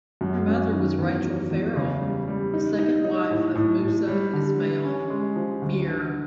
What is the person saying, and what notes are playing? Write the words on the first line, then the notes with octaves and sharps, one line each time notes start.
Her mother was Rachel Farrell, the second wife of Moosa Ismail Meer.
F#2
C#4
D#3
E2
F#3
E2
C#3
G3
G3
D#4
D#4
D#4
A2
A2
A2
G3
D3
G3
C#4
G#3
F3
D2
D3